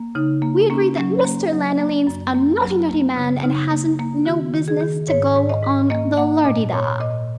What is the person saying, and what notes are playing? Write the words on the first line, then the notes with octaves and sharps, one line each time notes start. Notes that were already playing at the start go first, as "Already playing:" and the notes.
We agreed that Mr. Lanoline's a notty, notty man, and hasn't no business to go on the lardy-da.
Already playing: A#3
C#3 D#4
A#3
A#3 C#4
F#3 C#4
A#3
F#3
A#3
F#2
A#3
F#3
A#3
C#3
C#3 D#4
A#3
A#3
D#3 F#4
D#3
G#4
D#3
G#2 C#5
G#2
D#5
G#2
A#3 D#5
A#3 F#5
A#2 D#5
A#2 C#5
A#2 D#5